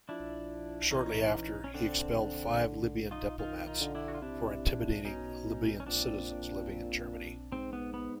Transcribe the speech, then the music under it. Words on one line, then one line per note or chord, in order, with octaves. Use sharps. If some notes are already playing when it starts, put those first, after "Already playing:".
Shortly after, he expelled five Libyan diplomats for intimidating Libyan citizens living in Germany.
F3 D4 E4
E3 C#4 D#4
C#4
D3 C4 D4
D#4 F4
D#3 D#4 F4
D#4 F4
D3
D4 E4
F#4
F4
C3 D4 E4
B2 C#4 D#4
C#4
A#2 C4 D4
G#2 C4
B3
B3